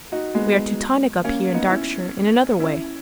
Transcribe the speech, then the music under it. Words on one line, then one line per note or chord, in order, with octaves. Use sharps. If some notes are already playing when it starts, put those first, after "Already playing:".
We are Teutonic up here in Darkshire in another way.
D#4 F#4
G#3 B3
A#3 C#4
B3 D#4
C#4 E4
C#4 E4